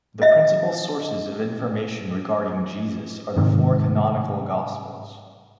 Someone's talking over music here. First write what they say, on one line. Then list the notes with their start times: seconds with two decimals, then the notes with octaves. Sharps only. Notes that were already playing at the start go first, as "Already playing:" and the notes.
The principal sources of information regarding Jesus are the four canonical gospels.
0.22 D#5 E5
3.37 G#2 C3 D#3